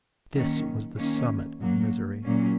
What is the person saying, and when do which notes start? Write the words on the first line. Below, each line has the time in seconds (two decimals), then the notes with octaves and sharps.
This was the summit of misery.
0.34 D#3 F#3 A#3 C#4
0.97 D#3 A#3 C#4
1.59 F#2 F#3 A#3
2.22 A#2 F#3 A#3 C#4